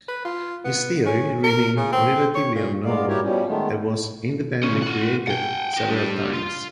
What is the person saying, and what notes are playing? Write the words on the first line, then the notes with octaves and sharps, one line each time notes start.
His theory remained relatively unknown and was independently created several times.
B4
F4
B3
C#4
A#4
C#3
C4
C#5
A#2
G#3 B3 D5 F5
E4 F#4 G4 A#4 C#5
B2 F3 G3 C#4
D#3 G#3 A3 B3
D2 C#4
F4 F#5
F#5 G5
F#4 G5
G3 D4
F4